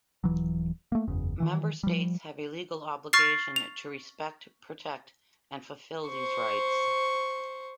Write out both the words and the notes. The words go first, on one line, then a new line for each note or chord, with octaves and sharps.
Member states have a legal obligation to respect, protect and fulfil these rights.
D#1 E3 F#3
A3 A#3
F#1 E2 C#3
D#3 E3
F3 G3
C#6 F6 A6 C7
F7
C5 C#6